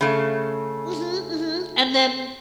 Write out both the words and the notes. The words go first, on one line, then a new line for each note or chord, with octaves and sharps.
Mhm, mhm, and then
C#3 A3